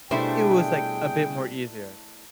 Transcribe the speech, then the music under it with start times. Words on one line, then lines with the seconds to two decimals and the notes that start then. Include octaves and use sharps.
it was, like, a bit more easier.
0.11 B2 G3 A3 D4 E4 G#4 C5 G5